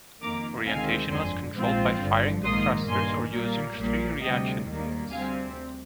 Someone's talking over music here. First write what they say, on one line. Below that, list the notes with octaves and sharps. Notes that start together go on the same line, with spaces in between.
Orientation was controlled by firing the thrusters or using three reaction wheels.
F2 D#3 A#3 A#5 D6
D2 C3 D#3 G#3 C4 F5 G#5
G1 F2 D3 G#5 C6
A#1 G#2 F3 C4 F4
G1 G2 D3
A#1 G#2 D#3 A#3 C6 D#6
G2 D#3 A#3 G#5 C6
A#2 G3 A#3
A#1 A#2 G3 A#3
D2 C3 G3 D#5 G5
D#2 D#3 G3 A#3
D2 C3 G3 C4 F5 G#5